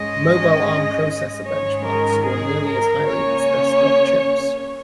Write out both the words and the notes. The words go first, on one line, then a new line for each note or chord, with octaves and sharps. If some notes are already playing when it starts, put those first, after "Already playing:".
Mobile Arm processor benchmarks score nearly as highly as desktop chips.
Already playing: G#2 G#3 C#4 D#5
G#2 D#3 G#3 C#4 C#5
A#4
G#4
A#4
C#3 A#3 C#4 C#5